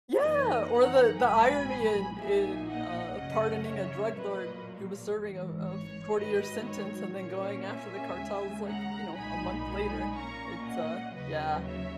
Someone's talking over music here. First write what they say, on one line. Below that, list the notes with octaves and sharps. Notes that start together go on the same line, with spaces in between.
Yeah! Or the the irony in in uh, pardoning a drug lord who was serving a a forty-year sentence and then going after the cartels, like, you know, a month later. It's, uh yeah.
F#2 E3 A#3 D#4 B4 D#5
F#5 A#5
A#1 G#2 F#3 B3 G#5 B5
A#1 A#2 A#3 D#4 E5 G#5
D#5 F#5
F#2 C#3 F#3 C#4 D#5 F#5
C#5 E5
A#2 F#3 A#3 B4 D#5
G#1 G#2 E3
C#5
G#2 D#3 F#3 B4 D#5
C#5
A#2 A#3 C#4 C#5
E5 G#5
D#2 C#3 G#3
F#5 A#5
B1 A#2 G#3 D#4 G#5 B5
G#5 B5
A#2 A#3 C#4 A#5 C#6
D#5 F#5
D#2 C#3 F#3 B4 D#5
C#5 E5